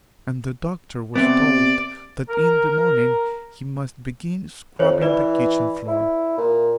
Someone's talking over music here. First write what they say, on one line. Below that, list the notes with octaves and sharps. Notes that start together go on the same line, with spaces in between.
And the Doctor was told that in the morning he must begin scrubbing the kitchen-floor.
C3 B3 D5
A#4
F2 C5 C#5
E3 B4 D5
E4
A#2